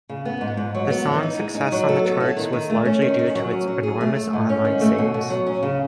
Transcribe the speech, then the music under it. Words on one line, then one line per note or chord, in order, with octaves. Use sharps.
The song's success on the charts was largely due to its enormous online sales.
C#3
B3
G#2
G#2
F#3
B3
E3
D#4
G#3
D#4
F#3
A4
B3
E4
D#3
D#3
A3
C#4
D#3
D#3
F#3
C#4
F#3
G#4
A3
A3
G#2
C#4
D#3
A3
B2
B2
F#3
C#4
C#3